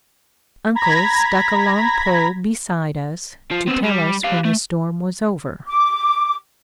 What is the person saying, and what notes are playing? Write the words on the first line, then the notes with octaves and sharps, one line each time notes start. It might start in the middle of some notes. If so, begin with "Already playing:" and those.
Uncle stuck a long pole beside us to tell us when the storm was over.
A#5 B5 G#6 A#6 B6
F3
B3 C4
G3
G4 F5
A3
D6